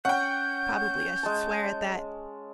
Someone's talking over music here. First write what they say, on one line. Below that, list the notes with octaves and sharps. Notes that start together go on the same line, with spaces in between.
Probably I should swear at that.
C#4 F#5 G5 G6
G#3 F5 A5